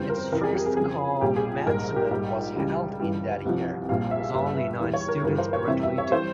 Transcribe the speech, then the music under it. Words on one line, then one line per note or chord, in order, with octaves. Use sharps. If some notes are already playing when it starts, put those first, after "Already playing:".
Its first commencement was held in that year, with only nine students graduating.
Already playing: G1 F2 C#3 E3 G3 C5
A#4
F2 C3 E3 G3 A#4
G#4
G4
G#4
F2 C#3 F3 G#4
A#1 A#2 G3 G4
G#4
A#1 G#2 G3 A#4
G4
A#1 G#2 G3
C#2 C#3 E3 G3
G1 G2 E3 G3
C2 C3 F3
A#1 A#2 G3 F5
E5
G1 G2 G3 E5
E2 E3 G3
C#5
A#4
G1 G2 E3 G3 A#4
C5
C#5
F2 C3 E3 G3 E5
E5
C#5
E3 G3 C5